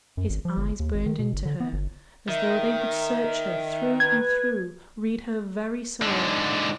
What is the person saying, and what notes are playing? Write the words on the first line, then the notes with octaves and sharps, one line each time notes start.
His eyes burned into her as though they would search her through and through, read her very soul.
F#2
G#1
F3
G1
D#2
G#1
D#3
B2
G1
D3
B3
G1
D#3 E5
B4 G#6
G#2 D3